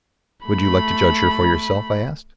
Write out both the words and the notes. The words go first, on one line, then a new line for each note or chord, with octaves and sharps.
"Would you like to judge for yourself?" I asked.
A3 B5